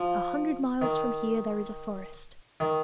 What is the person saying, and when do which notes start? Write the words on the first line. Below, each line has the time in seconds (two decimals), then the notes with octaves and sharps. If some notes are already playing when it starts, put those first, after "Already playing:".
A hundred miles from here there is a forest.
Already playing: F3
0.82 D#3
2.60 D#3